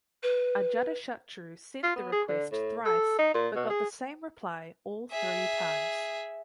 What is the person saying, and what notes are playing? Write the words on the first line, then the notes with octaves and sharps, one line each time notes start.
Ajatashatru sent the request thrice but got the same reply all three times.
B4
F4
B3
G#4
D3
A2
A4
D#4
A#2
B2
G#4
G#4 E5